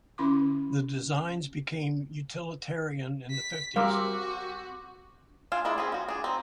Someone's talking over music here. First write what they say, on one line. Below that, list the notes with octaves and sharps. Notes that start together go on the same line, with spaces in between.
The designs became utilitarian in the fifties.
D3 C#4 E4 B5 C6 D6
B6
G3 C4 F#4 G4 A#4 F5 D6
D4 F4 F5 G#5 A5
G#3 D4 E4 D5
C4 C#4 G#4
F3 F#4
D4 G#4
C4 D#4